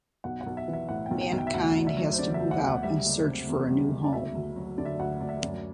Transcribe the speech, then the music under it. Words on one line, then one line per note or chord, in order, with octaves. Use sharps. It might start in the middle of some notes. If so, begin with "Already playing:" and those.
Mankind has to move out and search for a new home.
B1 F#5
F#5
B1
E5
E3
E5
A2 F#5
G5
B1
G5
B1
G5
E5
D2 F#5
D2
D5
E5
F#3
C5
D3 D5
D5
E5
D2
F#5
D2 F#5
G3 E5
F#1
C3
E2
G3
F#1
D5
D2 E5
D2
F#3
D3 D5
E5
D5
D2 F#5
D2 D5
E5
D5
F#2